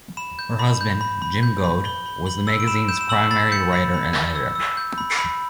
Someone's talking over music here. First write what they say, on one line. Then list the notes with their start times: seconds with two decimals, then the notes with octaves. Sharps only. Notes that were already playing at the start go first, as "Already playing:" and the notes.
Her husband, Jim Goad, was the magazine's primary writer and editor.
0.17 B5 E7
0.39 G6
0.59 B5
0.81 G6
1.01 B5
1.22 B5
1.43 G6
1.64 B5
1.85 B5 G7
2.06 B5
2.26 B5 F#7
2.47 E6
2.60 D7
2.67 B5 E7
2.89 G6 E7
3.01 E7
3.09 E6 F#7
3.31 B5 A6
3.52 G6 C#7
3.73 B5
3.94 B5
4.15 G6
4.36 E6
4.55 E6
4.77 G6
4.98 B5
5.19 B5